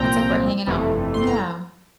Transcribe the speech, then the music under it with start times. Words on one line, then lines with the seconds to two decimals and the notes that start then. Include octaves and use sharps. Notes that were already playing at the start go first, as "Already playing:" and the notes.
It's like we're hanging out, yeah.
Already playing: C2 A#2 F3 C4 G5 A#5
0.67 G1 F2 C3 E3 A3
1.14 C6
1.27 A#5